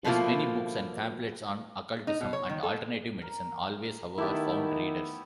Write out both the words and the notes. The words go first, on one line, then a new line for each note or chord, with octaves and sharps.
His many books and pamphlets on occultism and alternative medicine always, however, found readers.
B2 F3 A3 A#3 E4 F4
D#4
B2
C#5
D#3
A4
A#4
D#3 A3 B3 E4 G4